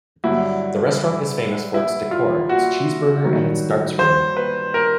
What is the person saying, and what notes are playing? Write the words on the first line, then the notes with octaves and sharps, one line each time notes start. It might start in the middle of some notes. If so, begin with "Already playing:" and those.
The restaurant is famous for its decor, its cheeseburger and its darts room.
G2 D3 F#3 E4
E4
F4
F#4
G2 D#3 F#3
C5
B4
A#4